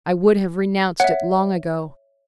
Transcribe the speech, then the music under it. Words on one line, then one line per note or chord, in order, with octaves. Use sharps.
I would have renounced it long ago.
C#5 E5 F#5